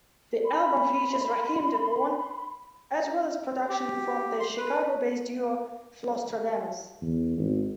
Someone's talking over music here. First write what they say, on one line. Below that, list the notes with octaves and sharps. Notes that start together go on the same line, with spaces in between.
The album features Raheem DeVaughn as well as production from the Chicago-based duo Flosstradamus.
B5 C6
G4
C6
B4
E2
G#1